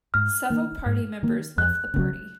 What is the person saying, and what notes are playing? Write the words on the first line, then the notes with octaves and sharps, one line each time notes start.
Several party members left the party.
G#2 F6
D#3 A#3
G#2
D#3 A#3
F2 F#6
C#3
F#3